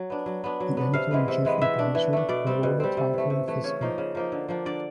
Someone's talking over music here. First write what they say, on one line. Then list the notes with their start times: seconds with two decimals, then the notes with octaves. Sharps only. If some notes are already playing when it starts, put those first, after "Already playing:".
The editor-in-chief and publisher was Robert Hartwell Fiske.
Already playing: F#3
0.10 B3 D4
0.26 F#3
0.44 B3 D4
0.60 F#3
0.77 B3 D4
0.93 C3 F5
1.11 E3 G#3 B3
1.28 C3
1.45 E3 G#3 B3
1.61 E3 E5
1.78 A3 D4
1.95 E3
2.13 A3 D4
2.29 B2 D5
2.47 G3 C4
2.63 B2
2.80 G3 C4
2.97 C3
3.14 E3 A3
3.30 C3
3.48 E3 A3
3.64 C#3 C#5
3.81 F3 A#3 D#4
3.98 C#3
4.15 F3 A#3 D#4
4.32 D3
4.49 F3 A#3 D4
4.65 D3 D5